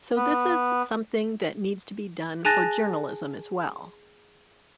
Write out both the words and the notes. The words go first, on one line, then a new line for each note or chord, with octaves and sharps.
So this is something that needs to be done for journalism as well.
B3
G#4 G#5 A5 F#6 A6 A#6